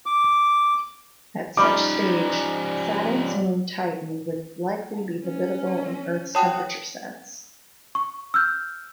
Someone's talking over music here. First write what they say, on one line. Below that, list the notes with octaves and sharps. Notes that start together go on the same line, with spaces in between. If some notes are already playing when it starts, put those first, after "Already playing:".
At such stage, Saturn's moon Titan would likely be habitable in Earth's temperature sense.
D6
F3 G3 C#4 D#4 D6
C#4
F#4 C#5 G5 A5 D#6
C#6
E6 F6 G6